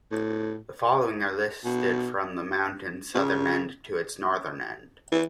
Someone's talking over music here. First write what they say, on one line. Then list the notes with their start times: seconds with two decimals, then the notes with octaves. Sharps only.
The following are listed from the mountain's southern end to its northern end.
0.12 A2
1.65 B2
3.15 B2
3.19 C#3
5.12 E3